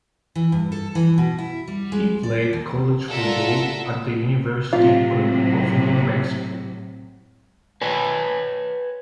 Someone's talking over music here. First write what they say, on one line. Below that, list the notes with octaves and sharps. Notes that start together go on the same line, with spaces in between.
He played college football at the University of New Mexico.
E3
G2
A4
E3
B2
E4
G3
G#3
D5
D#2
F4 A4 A#4 D5 E5 F#5
A2 C3 F#3 F4
B4 C#5 G#5